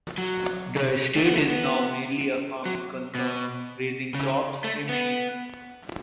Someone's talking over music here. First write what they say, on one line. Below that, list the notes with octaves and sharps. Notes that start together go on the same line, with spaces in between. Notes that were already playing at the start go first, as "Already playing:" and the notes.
The estate is now mainly a farming concern, raising crops and sheep.
F#3
A3
B3
A3
B3
F#3
B2
C#3
A3
B3